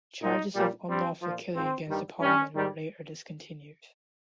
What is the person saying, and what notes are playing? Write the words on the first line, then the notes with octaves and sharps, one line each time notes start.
Charges of unlawful killing against the pieman were later discontinued.
A#2 F3 D#4
A#2 G3
G2 G3 C4
F3
A#2
G#2 F3 C4
G2 D#3 G3
G2 G3 C#4
G#2 D#3 G3